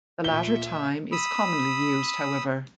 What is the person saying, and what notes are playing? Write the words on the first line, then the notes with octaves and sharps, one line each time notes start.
The latter time is commonly used however.
D2 A#2 F4 E5 G7
B5 D#6 E6